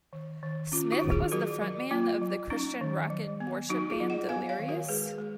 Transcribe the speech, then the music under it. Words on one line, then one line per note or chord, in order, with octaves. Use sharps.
Smith was the front man of the Christian rock and worship band Delirious?
D#3
D#3
C#4 F4
D#4 F#4
D#3
F4 G#4
F#3 F#4 A#4
F#3
A#3 F4
F#3
C#4 D#4
D#3
F#3
B3
F#3 D#4 F#4
F4 G#4
F#3
D#5 F#5
B3 F5 G#5
C#5 F5
D#3
F#4 A#4
G#3 G#4 B4
G#3